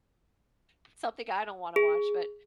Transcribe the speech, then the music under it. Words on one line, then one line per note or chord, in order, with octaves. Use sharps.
but something I don't wanna watch, but
G#4